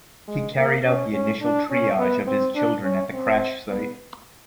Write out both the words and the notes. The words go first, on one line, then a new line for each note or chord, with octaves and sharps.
He carried out the initial triage of his children at the crash site.
G#3
A#3
C#4
C#4
D4
C#4
B3
C4
D4
C#4
C4
B3